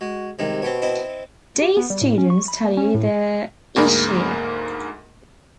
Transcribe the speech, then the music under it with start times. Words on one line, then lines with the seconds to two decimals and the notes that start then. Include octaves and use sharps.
D. students study there each year.
0.01 G#3 F#4
0.39 C2 C3 D#3 G#3
0.62 B2 C4 G4 C#5
0.82 C4 E4 D#5
1.62 G4
1.77 B3
1.90 G3
2.01 A2
2.18 C#4
2.30 C#6
2.48 B5
2.64 A#3
2.77 C#4
2.94 A2
3.76 D2 G#2 A#3 G#4 A#4 B5